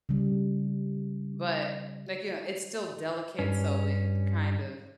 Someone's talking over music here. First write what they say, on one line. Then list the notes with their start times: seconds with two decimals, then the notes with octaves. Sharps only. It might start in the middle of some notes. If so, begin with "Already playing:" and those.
but like, you know, it's still delicate, so it kind of
0.09 C#3 G3
3.39 G2 C#4